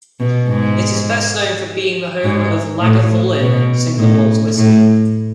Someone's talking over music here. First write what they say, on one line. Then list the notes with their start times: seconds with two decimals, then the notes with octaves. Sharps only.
It is best known for being the home of Lagavulin single malt whisky.
0.20 B2
0.48 G#2
2.24 G#2
2.81 A2
3.40 B2
3.98 A2
4.57 A2